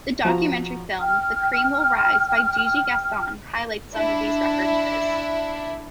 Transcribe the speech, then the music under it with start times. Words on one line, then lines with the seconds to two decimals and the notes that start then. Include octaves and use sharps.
The documentary film “The Cream Will Rise” by Gigi Gaston highlights some of these references.
0.25 F3 F#4 A#5
1.00 G5 F6
3.94 D4 E4